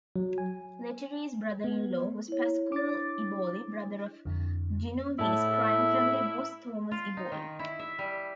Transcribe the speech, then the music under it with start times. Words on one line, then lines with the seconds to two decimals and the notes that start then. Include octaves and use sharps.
Lettieri's brother-in-law was Pasquale Eboli, brother of Genovese crime family boss Thomas Eboli.
0.16 F#3
0.38 G#5
1.64 B3
2.28 E4 C#5
2.72 D4 D6 A6
4.25 F2 D3
5.19 A2 E4 D5 A5
6.91 F4
7.17 D#4
7.32 D#3
7.59 E4
7.79 E5
7.99 G3